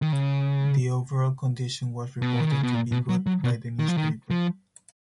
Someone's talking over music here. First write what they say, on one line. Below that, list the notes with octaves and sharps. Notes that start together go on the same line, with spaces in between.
The overall condition was reported to be good by the newspaper.
D#3
C#3
B2
D#3
C#3
B2
A#2
B2
F#3
F#3
B2
D#3
F3
D#3
F3